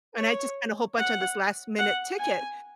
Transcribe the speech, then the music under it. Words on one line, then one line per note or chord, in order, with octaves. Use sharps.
And I just spent a whole bunch on this last minute ticket.
C#5
F#5
F#5
G#5